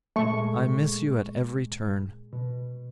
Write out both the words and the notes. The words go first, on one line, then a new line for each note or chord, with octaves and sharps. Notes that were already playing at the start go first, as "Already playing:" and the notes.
'I miss you at every turn.
A#2 G#3 A3 C#6
B2